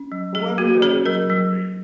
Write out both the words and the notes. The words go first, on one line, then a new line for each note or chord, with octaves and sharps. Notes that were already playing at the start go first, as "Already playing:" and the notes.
"Whoever that is can wait."
Already playing: C#4
F#3
F#3 G#4
A#3 F#4
C#4 G#4
F#3 A#4
F#3